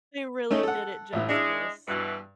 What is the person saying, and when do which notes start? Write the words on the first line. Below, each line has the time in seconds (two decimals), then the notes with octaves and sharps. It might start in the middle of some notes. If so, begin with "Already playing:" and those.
They really did it justice.
0.50 A3 C#4 D#4
0.63 A4 F#5
1.13 A1 A2
1.29 G#3 D4 E4
1.88 G2 B2 E3